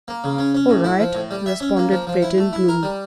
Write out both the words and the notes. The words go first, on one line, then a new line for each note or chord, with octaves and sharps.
"All right," responded Breton, gloomily.
A#3
C#3
C#4
C#4
A2
E4
F3
A2
G3
E5
C#4
A#3
F3
F3
E4
A3
E4
A#4
G3